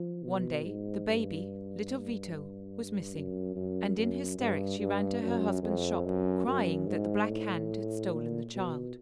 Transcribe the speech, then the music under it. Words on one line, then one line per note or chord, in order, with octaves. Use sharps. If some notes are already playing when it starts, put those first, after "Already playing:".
One day the baby, little Vito, was missing, and in hysterics she ran to her husband's shop crying that the Black Hand had stolen the child.
Already playing: F3
B2
G#2
G2
F#2
F#2
F#2
G2
G2
F#2
F2
F#2
F#2
G#2
A2
A#2
B2